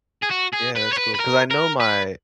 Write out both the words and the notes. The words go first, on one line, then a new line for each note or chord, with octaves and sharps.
Yeah. That's cool, 'cause I know my
G#4
F#4
G#4
B4
C#5
B4
B4
A#4
A#4
B4